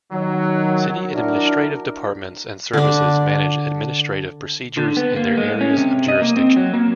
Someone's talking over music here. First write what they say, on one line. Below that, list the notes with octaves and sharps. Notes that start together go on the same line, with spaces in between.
City administrative departments and services manage administrative procedures in their areas of jurisdiction.
D#3 F#3
D4 E4 F#4 A#4
D3 D4
D3
B3
A#3
G#3
C#4
C3
D#5
A#3
C4
F#3
A#3